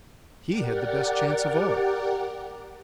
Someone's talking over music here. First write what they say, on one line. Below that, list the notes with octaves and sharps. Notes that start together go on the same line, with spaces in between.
He had the best chance of all.
G4 A#4 D5 F#5